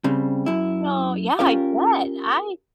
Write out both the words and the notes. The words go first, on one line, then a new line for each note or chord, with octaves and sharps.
No, yeah, I bet. I
C#3 G3 C4
F#2 E4
C#4 F4 G4 A#4 F5